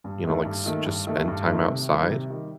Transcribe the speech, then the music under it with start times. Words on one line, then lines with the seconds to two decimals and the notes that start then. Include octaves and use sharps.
you know, like, s just spend time outside,
0.04 G2
0.25 D#3 A3
0.45 G2
0.66 D#3 A3
0.86 G2
1.07 D#3 A3
1.28 G2
1.48 D#3 A3
1.69 C3
1.89 D#3 G3
2.10 C3
2.30 D#3 G3